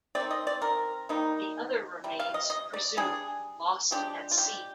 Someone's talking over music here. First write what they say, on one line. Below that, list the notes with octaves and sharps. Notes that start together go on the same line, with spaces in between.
The other remains presumed "lost at sea".
D#3 G#3 C4 D5
D#5
D5
A#4
D#3 G3 A#3 D#4
C3 G3
F5
D#5
D#5
D5
G3 D4 G#4
F3 G#3 D4 G4
F4
G4